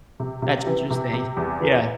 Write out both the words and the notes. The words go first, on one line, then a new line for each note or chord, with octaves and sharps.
That's interesting. Yeah.
C3
C3
E3
C3
C3
E2
E3